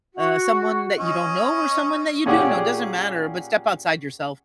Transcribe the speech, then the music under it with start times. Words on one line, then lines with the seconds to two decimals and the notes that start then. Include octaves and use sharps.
uh, someone that you don't know or someone that you do know. It doesn't matter, but step outside yourself.
0.13 F#4
0.98 C#4 D#5
2.26 A#2 C#4 G4 G#4 F#5 D6